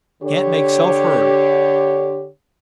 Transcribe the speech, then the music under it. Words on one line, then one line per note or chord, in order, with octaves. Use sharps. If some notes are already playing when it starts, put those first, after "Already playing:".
Can't make self heard.
D3 G4 C#5